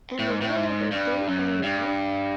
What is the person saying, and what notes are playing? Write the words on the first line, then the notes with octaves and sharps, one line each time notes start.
And where were they all now?
A2
G#2
A2
G#2
G2
F#2
G2